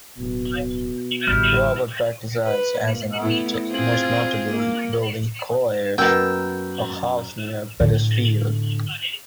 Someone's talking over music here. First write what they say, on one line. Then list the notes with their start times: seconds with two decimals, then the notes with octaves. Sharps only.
Robert practised as an architect, most notably building Collyers, a house near Petersfield.
0.18 D1 B2
1.27 A1 D3 G3 E4 F6 G6
2.45 B4
2.82 A#2
3.16 A3 B3 E4
3.71 C4 F4 G#4
4.51 A#3
5.98 F#2 B2 A#3 G5 E6
7.80 A2 D3